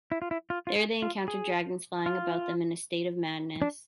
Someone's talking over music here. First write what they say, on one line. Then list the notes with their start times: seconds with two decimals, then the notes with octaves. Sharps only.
There they encounter dragons flying about them in a state of madness.
0.12 E4
0.22 F4
0.31 E4
0.50 F4
0.67 F4
0.76 G#4
1.02 F4
1.28 G#4
2.06 F4
3.62 D4